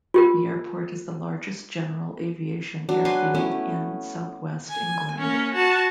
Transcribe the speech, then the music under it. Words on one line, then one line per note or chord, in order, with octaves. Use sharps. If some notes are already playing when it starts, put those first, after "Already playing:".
The airport is the largest general aviation airfield in South West England.
F4 G4 A#4
F#3 D4
B4 G#5 C6 D6
A3 B3 C#4 E4
G#5
A#3 C#4
F#4 A5